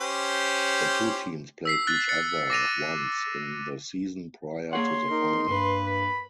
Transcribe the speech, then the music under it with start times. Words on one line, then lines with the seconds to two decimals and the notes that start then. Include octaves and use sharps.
The two teams played each other once in the season prior to the final.
0.01 C#4 G4 C5
1.65 E6 B6 C7
1.87 F#6 A6 G7
2.09 F#6 A6 C#7
2.50 D6 A#6 D#7 F7
4.73 A#3 G#4 C#5 F#5 C6
5.10 D#4 A#4
5.49 G2 B4
5.86 B5